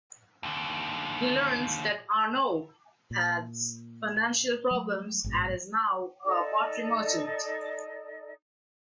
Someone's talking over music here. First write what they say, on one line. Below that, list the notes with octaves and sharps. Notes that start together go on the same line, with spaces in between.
He learns that Arnoux has financial problems and is now a pottery merchant.
D#2 D3
A#2
F#3 A3
A1 G#2 B2
D#4 A4 D5 D#5